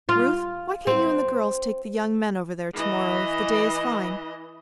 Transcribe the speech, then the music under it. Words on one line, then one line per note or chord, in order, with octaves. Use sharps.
Ruth, why can't you and the girls take the young men over there to-morrow if the day is fine?
F4
C4
E3 D#5